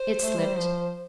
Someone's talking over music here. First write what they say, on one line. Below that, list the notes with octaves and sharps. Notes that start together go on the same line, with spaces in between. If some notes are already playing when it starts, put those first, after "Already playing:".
'It slipped.
Already playing: C5
A3
G3
F3